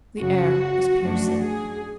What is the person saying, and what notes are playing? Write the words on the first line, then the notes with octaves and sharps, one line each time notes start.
The air was piercing.
F#2 C#3 F#3 F#4
F#2 F3 A3 D4
G#4